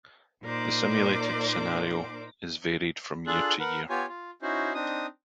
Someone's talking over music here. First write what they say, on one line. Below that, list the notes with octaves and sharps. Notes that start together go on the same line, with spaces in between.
The simulated scenario is varied from year to year.
A#2 D#4 A#4 C5 D5 D6
D4 F4 G#4 A4 F#6
A#4 B4 F#5
B3 F4 G4 C#5 G#5
F4
C#4 D#4 E4 F#4 C5
C4 D4 D#4 D#6